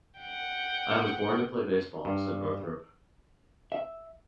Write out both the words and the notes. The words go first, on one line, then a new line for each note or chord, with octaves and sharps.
"I was born to play baseball", said Northrup.
F#5 G5
G2
E5